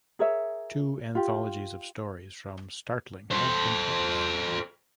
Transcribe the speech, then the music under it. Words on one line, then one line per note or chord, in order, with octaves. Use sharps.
Two anthologies of stories from "Startling" have been published.
G#4 A#4 C#5 E5
F4 G4
A4 C5